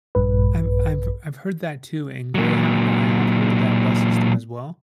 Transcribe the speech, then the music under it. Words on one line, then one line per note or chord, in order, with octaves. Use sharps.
I've I've I've heard that too. And Greyhound, I have heard of that bus system as well.
A#1 G2 B4
A#2 F#3